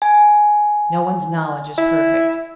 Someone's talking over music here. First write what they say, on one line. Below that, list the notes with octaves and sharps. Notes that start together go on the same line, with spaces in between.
No one's knowledge is perfect.
G#5
E4